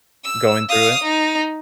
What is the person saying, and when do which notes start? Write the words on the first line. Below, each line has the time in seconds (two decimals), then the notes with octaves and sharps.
Going through it?
0.24 E6
0.69 F5 D#6
1.03 D#4